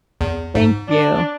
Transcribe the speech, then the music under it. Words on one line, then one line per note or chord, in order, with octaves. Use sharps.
Thank you.
E2
G#2
D4